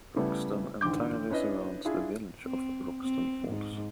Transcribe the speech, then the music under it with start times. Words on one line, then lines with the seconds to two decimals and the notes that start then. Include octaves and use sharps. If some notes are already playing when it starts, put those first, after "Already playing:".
Roxton entirely surrounds the village of Roxton Falls.
0.16 C#3 G3 A3 B3 E4
0.81 A1 G#2 D3 D6 G6
1.30 C#4 D4 E4 B4 D#5
1.85 D4 E4 F4 G#4
2.43 C4
3.02 C4
3.48 G#2